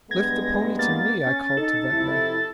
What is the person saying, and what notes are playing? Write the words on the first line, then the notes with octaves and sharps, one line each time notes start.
"Lift the pony to me," I called to Ventnor.
G2 G#3 B3 G#6 A#6
A#3 A6
C#4
D#4 A4
F2 C3 E4